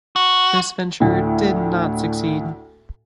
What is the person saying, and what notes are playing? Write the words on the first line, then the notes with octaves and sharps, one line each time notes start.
This venture did not succeed.
F#4
D2 A2